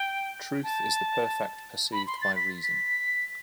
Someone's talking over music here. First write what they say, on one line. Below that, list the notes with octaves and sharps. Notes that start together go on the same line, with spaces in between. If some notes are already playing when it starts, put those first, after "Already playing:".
Truth is the perfect perceived by reason.
Already playing: G5
A5
B5
C6
A6
B6
B6